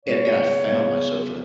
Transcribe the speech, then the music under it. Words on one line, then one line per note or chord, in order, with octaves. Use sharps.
and and I found myself at a
C#3 G#3 B3 C#5
C#3 G#3 B3